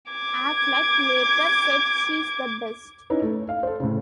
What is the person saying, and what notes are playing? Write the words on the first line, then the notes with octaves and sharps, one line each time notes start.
Affleck later said: She's the best.
D6 G#6
C#4 D#4 E4 B4
A3
F5
A4 C5
A2 C#3